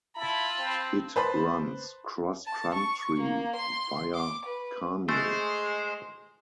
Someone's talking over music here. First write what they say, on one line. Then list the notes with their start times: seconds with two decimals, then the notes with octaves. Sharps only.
It runs cross-country via Carnew.
0.17 E4 F4 A5 B5
0.59 C4
1.16 B4 C5 A5 B5
2.46 A5
2.74 C#6
3.20 A#3
3.55 C6
4.14 D6
4.45 B4
5.09 G#3 A3 C5